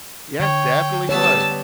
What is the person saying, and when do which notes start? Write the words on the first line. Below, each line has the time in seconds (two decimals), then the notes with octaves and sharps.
Yeah, it definitely was.
0.40 D3 C#5 G5
1.09 G3 B3 C#5 A5 E6